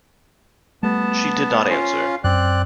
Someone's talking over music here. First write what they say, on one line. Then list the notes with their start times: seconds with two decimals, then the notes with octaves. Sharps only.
She did not answer.
0.83 G3 A3 B3 A5
1.70 C#4 F4 F5
2.24 F#2 C4 D5 F#6